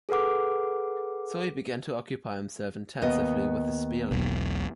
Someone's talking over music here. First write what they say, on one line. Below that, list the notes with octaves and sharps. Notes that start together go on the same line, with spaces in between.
So he began to occupy himself intensively with the Speierling.
G#4 A4 B4 F#5 D6
D#2 B3 D#5
E1 B1